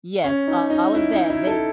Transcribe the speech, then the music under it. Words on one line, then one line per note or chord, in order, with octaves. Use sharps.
yes, all of that, they
C#4
D#4
D#4
E4
D#4
E4
A4